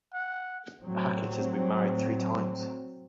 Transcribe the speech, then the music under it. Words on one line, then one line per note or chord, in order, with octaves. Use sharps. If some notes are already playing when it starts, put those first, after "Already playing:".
Hackett has been married three times.
F#5
A2 F#3 C4